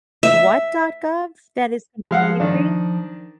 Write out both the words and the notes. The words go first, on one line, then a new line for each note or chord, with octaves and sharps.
what dot gov that is completely free?
E5
F3 G#3 F5 F#5
D#3 D4